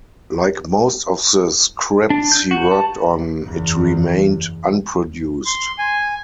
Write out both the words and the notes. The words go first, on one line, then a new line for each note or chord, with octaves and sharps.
Like most of the scripts he worked on, it remained unproduced.
D4
G6
F#4
A5
F#1 E2
C6
G#5